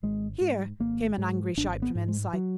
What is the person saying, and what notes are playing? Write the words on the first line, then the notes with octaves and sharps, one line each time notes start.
"Here!" came an angry shout from inside.
G#1 G#3
G#2
G#1 A#3
G#2
G#1 D4
B3
G#2
G#3
F#3